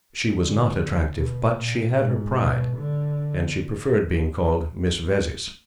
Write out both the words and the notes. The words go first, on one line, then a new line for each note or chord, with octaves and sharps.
She was not attractive; but she had her pride, and she preferred being called "Miss Vezzis."
D3
B2
A#2
G#2
B2
D3